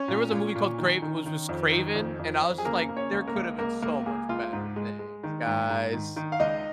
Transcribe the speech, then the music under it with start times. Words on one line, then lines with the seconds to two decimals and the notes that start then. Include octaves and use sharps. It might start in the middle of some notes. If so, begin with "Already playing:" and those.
there was a movie called Cra it was was Craven, and I was just like, "There could've been so much better things, guys.
Already playing: C#4 C#5
0.08 A#2
0.32 A#2
0.55 A#2
0.78 D#3
1.02 D#3
1.26 D#3
1.49 F2
1.72 D#3
1.95 F2
2.19 F2
2.42 F2
2.58 G#4
2.65 C#3 A#3 A#4
2.89 A#3
2.96 C#4 C#5
3.12 C#2
3.28 A#3 A#4
3.36 C#2
3.59 C#2 A#3 A#4
3.82 C#2 A#3 A#4
4.06 A#3 G#4
4.29 C#2 F4
4.53 G#2
4.76 G#3
4.99 G#3
5.23 D#3
5.46 G#2
5.70 G#2
5.93 D#3
6.16 D#3
6.32 F5
6.40 C#2 D#4 D#5